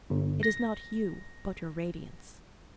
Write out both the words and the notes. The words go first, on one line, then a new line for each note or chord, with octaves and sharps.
It is not you, but your radiance.
G1
A#6